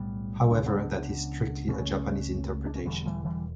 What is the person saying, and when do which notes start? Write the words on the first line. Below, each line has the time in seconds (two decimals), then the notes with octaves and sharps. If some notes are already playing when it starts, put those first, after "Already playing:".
However, that is strictly a Japanese interpretation.
Already playing: B1 A2 G3 B3
0.51 C#2 C#3 D4
0.66 B3 D4
1.68 C#2 C#3 A3 C#4
2.66 D4
2.76 C#4
2.85 E1 E2 D3 G3 B3
3.06 E3 G3
3.25 E3 G3